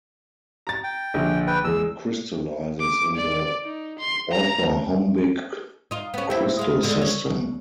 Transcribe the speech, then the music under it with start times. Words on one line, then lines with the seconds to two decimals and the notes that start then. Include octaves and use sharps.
It crystallizes in the orthorhombic crystal system.
0.67 A#5 A6
0.84 G5
1.14 A#1 D3
1.47 B4 G5
1.64 E2 G#3 E6
2.80 D6
3.17 D5
3.64 D#4
3.99 C6
4.32 A#5
5.91 D#4 F4
6.14 B3 C#4
6.30 C4 E4
6.59 G#3 F5
6.83 D3 G#3
7.02 C#5